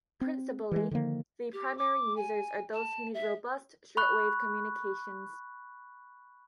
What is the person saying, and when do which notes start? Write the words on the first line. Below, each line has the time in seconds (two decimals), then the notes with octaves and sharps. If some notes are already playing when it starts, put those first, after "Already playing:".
Principally, the primary users are those who need robust shortwave communications.
0.21 C4
0.71 E3 G#3
0.91 D3 D#3 F3 A#3
1.53 G4
1.78 D6
2.16 G#5
2.73 A5
3.14 E5
3.97 B5 C#6 F#6